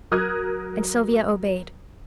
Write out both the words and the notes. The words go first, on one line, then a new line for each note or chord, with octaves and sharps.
And Sylvia obeyed.
F#3 A#4 D#6 F6 F#6 G#6